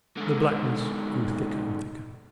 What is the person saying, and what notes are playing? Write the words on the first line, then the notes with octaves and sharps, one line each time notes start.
The blackness grew thicker and thicker.
G#2 D3